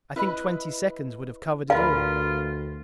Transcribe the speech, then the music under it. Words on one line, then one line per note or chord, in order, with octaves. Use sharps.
I think twenty seconds would have covered it all.
E4 B4 D#5
D2 F4 A#4 B4 F5